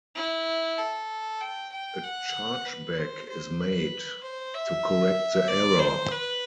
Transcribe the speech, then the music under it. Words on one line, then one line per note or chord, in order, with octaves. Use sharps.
A chargeback is made to correct the error.
E4
A4
G5
G5
F#5
B4
C5
C5
B4
C5
E5
D5
C5
B4